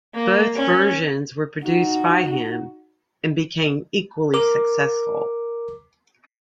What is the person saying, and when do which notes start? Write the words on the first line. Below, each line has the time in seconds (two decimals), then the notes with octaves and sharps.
Both versions were produced by him and became equally successful.
0.15 A#3
0.56 C#4
1.64 D#4 F#4
4.34 A#4 D6